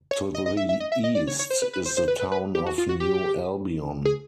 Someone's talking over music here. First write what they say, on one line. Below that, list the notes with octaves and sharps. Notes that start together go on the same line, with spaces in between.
To the east is the town of New Albion.
C#5
D#5
D#5
E5
E5
D#5
E5
D#5
D5
C#5
C#5
C5
B4
B4
C5
C5
B4
B4
B4
G4
F#4
F4
F#4
G4
G#4